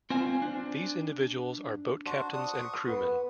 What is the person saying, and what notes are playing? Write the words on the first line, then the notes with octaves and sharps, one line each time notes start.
These individuals are boat captains and crewmen.
C4 F4 C5 F5 G#5
D4
D4 F#4 C5
F#5 D#6
C#6 D#6
B3 B4